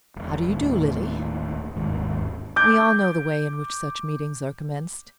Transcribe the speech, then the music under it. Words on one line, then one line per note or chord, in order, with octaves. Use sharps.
"How do you do, Lily?" We all know the way in which such meetings are commenced.
E1
D#1 D#2 A2
G1 D#2 G#2
D6 G6